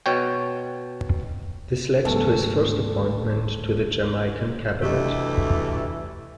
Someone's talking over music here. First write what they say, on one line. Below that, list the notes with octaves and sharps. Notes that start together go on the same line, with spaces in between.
This led to his first appointment to the Jamaican Cabinet.
B2 C#5 G5
D2 G#2 D#3 F#3 B3 A4 B4
D2 C3 E3 G3 A3 G4 D#5